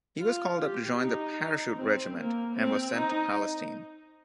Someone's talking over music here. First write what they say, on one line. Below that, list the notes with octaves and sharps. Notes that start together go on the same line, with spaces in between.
He was called up to join the Parachute Regiment, and was sent to Palestine.
F4
G4
D#4
C4
A#3
C4
D#4